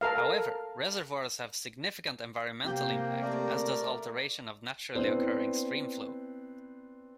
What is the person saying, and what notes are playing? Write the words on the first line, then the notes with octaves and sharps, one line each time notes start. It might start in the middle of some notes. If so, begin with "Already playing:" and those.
However reservoirs have significant environmental impact, as does alteration of naturally occurring stream flow.
A4 A#4 F5
C3 A#3 C4 G4 G6
A3 A#4 D5
B3 C4 D4 E4 C5